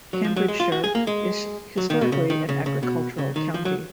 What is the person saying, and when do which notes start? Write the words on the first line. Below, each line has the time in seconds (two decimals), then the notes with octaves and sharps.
Cambridgeshire is historically an agricultural county.
0.13 F#3
0.24 F3
0.36 F#3
0.48 G#3
0.60 F4
0.72 F#4
0.84 G#4
0.95 A#3
1.07 G#3
1.77 F#3
1.90 D#3
2.01 B2
2.12 C#3
2.30 D#3
2.49 C#3
2.66 C#3
2.83 B2
3.18 C#3
3.36 D#3
3.54 F3
3.65 F#3